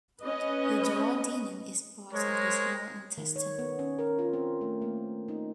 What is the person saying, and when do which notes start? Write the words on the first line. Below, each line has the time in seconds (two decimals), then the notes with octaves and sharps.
The Duodenum is part of the small intestine.
0.22 C#4 B4 D#5
2.13 G#3 A#4 C5 C#5
3.18 D#3
3.36 C#5
3.59 B3
3.79 C#4
3.99 A#4
4.19 F4
4.33 C4
4.61 A3
4.82 A#3
5.28 D#4